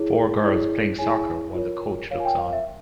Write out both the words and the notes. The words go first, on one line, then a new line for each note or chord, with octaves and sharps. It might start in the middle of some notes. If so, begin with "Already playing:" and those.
Four girls playing soccer while the coach looks on.
Already playing: E4 G#4 C#5
E4 G#4 C#5
E4 G#4 C#5 G#5
F4 A#4 C#5
F4 A#4 C#5 F5
G#5
G5
F5
E5